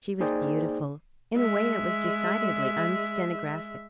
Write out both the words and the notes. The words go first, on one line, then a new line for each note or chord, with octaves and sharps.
She was beautiful in a way that was decidedly unstenographic.
A#3 D#4 G#4 C5 D5 G5
G#3 E5